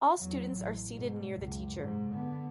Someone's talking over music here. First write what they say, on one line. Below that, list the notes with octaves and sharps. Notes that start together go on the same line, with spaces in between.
All students are seated near the teacher.
E2 F#3
A1
G#2 B2
F#1 C#2
G#2 C3
D3 B3